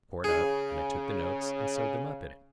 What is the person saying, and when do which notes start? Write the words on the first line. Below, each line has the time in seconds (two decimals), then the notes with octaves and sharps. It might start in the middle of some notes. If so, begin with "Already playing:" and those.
I tore it up, and I took the notes and sewed them up in it.
0.24 C#3 G#4